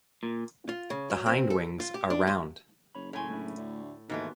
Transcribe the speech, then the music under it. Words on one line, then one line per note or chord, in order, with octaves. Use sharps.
The hindwings are round.
A#2
F4
C#3
F#3
C4
A4
F4
G4
D4
C6
F#1 C#5 B5
A2 C#5 G#5 A#5 C6
A3 D4 E4
D2
D#2 G#2 E3 A3 B3 F#4